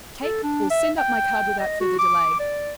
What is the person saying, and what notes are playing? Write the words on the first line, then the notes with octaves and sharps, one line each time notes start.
Take or send up my card without further delay.
A4
D4
E5
G5
D#5
F#4
D6
D5